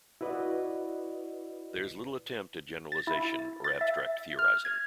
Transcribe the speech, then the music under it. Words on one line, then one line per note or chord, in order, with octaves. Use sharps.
There's little attempt at generalization or abstract theorizing.
E4 F#4 B4 D5 D#5 F#5
A6
E4
A6
E5
F6
G#6